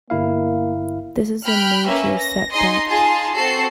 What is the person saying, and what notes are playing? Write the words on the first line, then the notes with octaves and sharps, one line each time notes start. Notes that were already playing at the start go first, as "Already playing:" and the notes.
This is a major setback.
G1 A#3 E4 F5
G5 B5 F6 F#6
A#3 C#4 B4 E5
A#6
D#4 G#4 D#5 C6
D#4 F4 G#4 A5 C6
C4 F#4 A4 C7